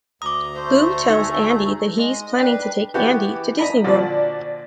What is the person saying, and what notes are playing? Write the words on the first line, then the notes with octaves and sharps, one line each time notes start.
Lou tells Andy that he's planning to take Andy to Disney World.
D2 A#5 D6 D#6
A3 C5
D#4 G#4
G#3 D#5
D4 B4 G5
E3 B3 F#4 G4
D#5 A#5 B5
A#2 D3 F3 F#4 D5